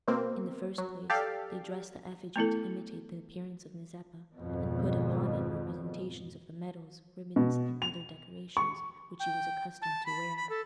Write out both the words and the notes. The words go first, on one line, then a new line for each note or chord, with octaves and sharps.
In the first place, they dressed the effigy to imitate the appearance of Mazeppa, and put upon it representations of the medals, ribbons, and other decorations which he was accustomed to wear.
B2 A#3 C4
F#3
G4 A4 D5 F5
A3 B3 E4 A4
G#1 F2 B2
B2
F7
C#6
G5
A5
B5
B5
A4